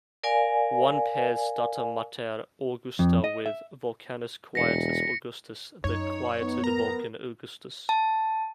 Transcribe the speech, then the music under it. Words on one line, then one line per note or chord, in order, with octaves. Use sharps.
One pairs Stata Mater Augusta with Volcanus Quietus Augustus, the 'Quieted' Vulcan Augustus.
A#4 D5 F5 G#5
F2
D#5
E5
E1 A#6 B6 C#7
F#2 D#4 C#5
B3 D#4
A#4 A#5
A5